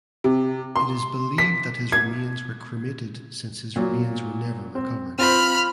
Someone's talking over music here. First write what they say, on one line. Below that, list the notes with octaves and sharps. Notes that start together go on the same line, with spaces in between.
It is believed that his remains were cremated since his remains were never recovered.
C3
C6
B6
G#6
A#2 F#3
C4
C4 F4 C5 B5 F6